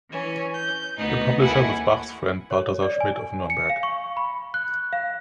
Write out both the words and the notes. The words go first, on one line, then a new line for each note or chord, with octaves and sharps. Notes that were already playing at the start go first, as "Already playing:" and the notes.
The publisher was Bach's friend Balthasar Schmid of Nuremberg.
E3 C#4
G6
D2 B3 D#4 D#5
D#2 E4 A4 F#5 G#5
C#5
D5
G#5
C#7
F5
C#6
B5
F#6
F5